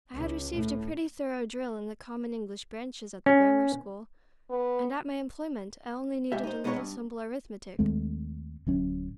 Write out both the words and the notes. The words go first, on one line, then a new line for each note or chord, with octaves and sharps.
I had received a pretty thorough drill in the common English branches at the grammar school, and at my employment I only needed a little simple arithmetic.
C#2
A2
C#4
B3
G#2 G4 E5
D#4 C5
G#3 B3 D#4 E4 C#5
G2
D#2 G#3 A3 C4
D1 F#3 C#4